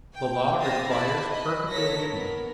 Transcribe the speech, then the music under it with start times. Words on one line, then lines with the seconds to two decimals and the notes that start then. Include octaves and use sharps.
The Law requires perfect obedience.
0.14 G5
0.60 C4 E5 F5 D#6 A6 A#6
0.90 E4 D5 A5 B5
1.27 D#5 B5
1.70 A#3 A4 C#5 A#6 B6
2.11 B3 A#4